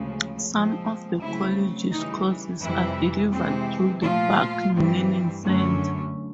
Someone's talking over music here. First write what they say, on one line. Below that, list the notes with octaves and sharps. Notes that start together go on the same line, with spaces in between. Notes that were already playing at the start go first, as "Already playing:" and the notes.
Some of the college's courses are delivered through the Barking Learning Centre.
Already playing: D2 C#3 F3 G#3
A#2 F3 G#3 C4
C#3 F#3 A3 C4 E4
C#3 E3 G3 D#4
F2 C3 E3 G3 E4
C3 E3 G#3 C4
A#2 F3 A3 F4
G2 E3 G3 C4
F#2 D3 F#3 A3 C#4